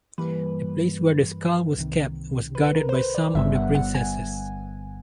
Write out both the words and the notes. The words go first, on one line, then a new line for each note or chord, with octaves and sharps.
The place where the skull was kept was guarded by some of the princesses.
G2 E3 G3 A#3 B4
C2 C3 D#3
B4
A#4
C5
B4
D5
G1 G2 D3 G3 B3 E5
F#5
F#5
G#5